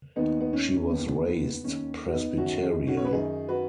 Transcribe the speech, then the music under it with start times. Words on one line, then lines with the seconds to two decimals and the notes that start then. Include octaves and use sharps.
She was raised Presbyterian.
0.16 D#2 D#3 B3 D#4
0.41 B3
0.53 C#4
0.89 D#2 D#3 B3
1.27 B3
1.63 D#2 D#3 C#4
2.06 F#4
2.13 B3 D#4
2.38 F#2 D#3 C#4 F#4
2.58 F#4
2.63 D#4 G#4
2.87 C#4 F#4
2.97 C#5
3.05 B4
3.12 F#2 D#3 D#4 G#4
3.48 F#4 B4